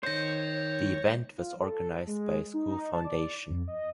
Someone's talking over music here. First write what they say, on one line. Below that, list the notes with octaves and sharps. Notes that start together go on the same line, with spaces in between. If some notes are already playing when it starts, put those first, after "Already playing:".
The event was organized by a school foundation.
D#3 C5 C#5 G6 A#6
F4
A4
G#3
D#4
A5
D5
F2
D#5